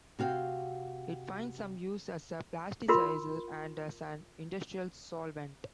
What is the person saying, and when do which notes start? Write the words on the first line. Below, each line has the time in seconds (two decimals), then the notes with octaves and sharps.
It finds some use as a plasticizer and as an industrial solvent.
0.19 C3 F#4 F5 G5
2.88 E4 F4 A#4 B5 C6